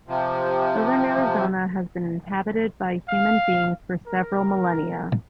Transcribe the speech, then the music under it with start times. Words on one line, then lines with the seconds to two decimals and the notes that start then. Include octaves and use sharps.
Southern Arizona has been inhabited by human beings for several millennia.
0.08 C3 F3
3.09 F5
4.07 A#4